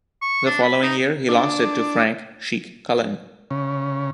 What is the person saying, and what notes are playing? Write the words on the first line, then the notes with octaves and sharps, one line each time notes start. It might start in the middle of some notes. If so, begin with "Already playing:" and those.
The following year, he lost it to Frank "Chic" Cullen.
C#6
D4
B5
D#4
D4
C#3